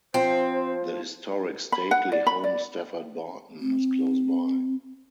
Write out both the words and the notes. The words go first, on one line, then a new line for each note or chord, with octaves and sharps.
The historic stately home Stafford Barton is close by.
F3 C4 C5
B5
F#5
D5
B5
D5
C4